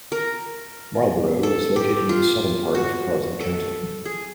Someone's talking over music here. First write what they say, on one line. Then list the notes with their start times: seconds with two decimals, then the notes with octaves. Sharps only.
Marlborough was located in the southern part of Carleton County.
0.12 A#4
1.43 A4
1.76 G4
2.09 F4
2.75 F#4
3.40 A4
4.06 G#4